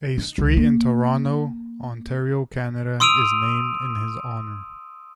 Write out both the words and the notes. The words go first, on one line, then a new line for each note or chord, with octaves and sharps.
A street in Toronto, Ontario, Canada, is named in his honour.
D#4
C#2
A#3
C6 D#6 E6 D7 D#7 F7